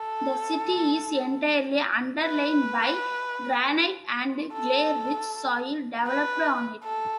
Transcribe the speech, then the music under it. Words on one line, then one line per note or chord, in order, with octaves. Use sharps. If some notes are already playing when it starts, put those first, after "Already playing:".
The city is entirely underlain by granite, and clay-rich soil developed on it.
Already playing: A4
B4
A4
B4
A4